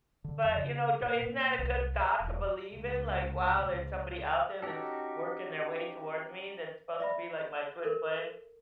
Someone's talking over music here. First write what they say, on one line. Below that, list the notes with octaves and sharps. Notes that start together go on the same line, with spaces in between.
but, you know, isn't that a good thought to believe in, like, wow, there's somebody out there that's working their way towards me that's supposed to be, like, my twin flame.
D3
F2
C#3
A#2
A#2
C2
E1
C#2
C#2
C#4 D#4 F#4 G4 A4
D5 E5 B5
A4 A#4